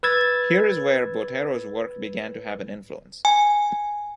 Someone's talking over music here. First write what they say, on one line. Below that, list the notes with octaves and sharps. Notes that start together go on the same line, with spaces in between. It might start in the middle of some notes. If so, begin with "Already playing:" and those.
Here is where Botero's work began to have an influence.
B4 E6 G#6 A6
G#5